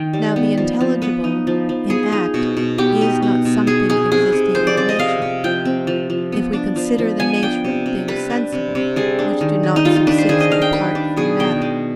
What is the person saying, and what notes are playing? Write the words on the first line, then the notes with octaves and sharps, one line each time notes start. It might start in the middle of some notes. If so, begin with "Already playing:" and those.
Now the intelligible in act is not something existing in nature; if we consider the nature of things sensible, which do not subsist apart from matter.
Already playing: D#3 G5
G3
B3
F3
F3
B3 B4
D#4
F3
F3
B3 G#4
D#4
B2
B2
B3 G4
D#4
B2
B2
B3 G#4
D#4 G#4
C3 G#4
C3
F3 C5
D5
C4 D5
D#5
C3 F5
C3
F3 G5
C4
F3
F3
B3
D4
F3
F3
B3 G#5
D4 G5
C3
C3
G3 B4
D4
C3
C3
G3 G#4
D4
D#3
D#3
D#4
G3 F4
F4
D4 B4
C5
D#3 G#4
D#5
D#3 F5
G5
G3 B4
D4
B2 G#4
B2 G5
G#3